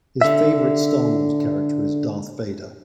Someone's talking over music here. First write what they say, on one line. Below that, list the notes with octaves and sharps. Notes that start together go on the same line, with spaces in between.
His favorite Star Wars character is Darth Vader.
D3 E5